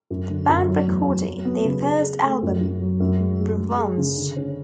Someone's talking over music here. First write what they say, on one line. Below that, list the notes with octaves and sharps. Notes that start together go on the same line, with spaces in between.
The band recorded their first album Revansj!
F#2
D3
F#2
F#3
E2
F#3
F#3
B3
C#3
G#4
G#4
A3
F#2
F#2
F#3
F#2
G#3
G#3
G#3
G#4
C#3
D3
C#4